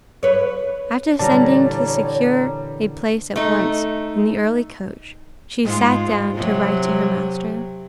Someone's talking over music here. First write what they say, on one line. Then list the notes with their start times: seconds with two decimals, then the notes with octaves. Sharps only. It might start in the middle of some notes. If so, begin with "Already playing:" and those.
After sending to secure a place at once in the early coach, she sat down to write to her master.
0.23 B4 C#5
1.19 A#2 D3 E3 G3 C#5 D5 A5 A#5
3.36 A3 D#4
5.63 G#2 G#3 F4
6.34 C3 F#3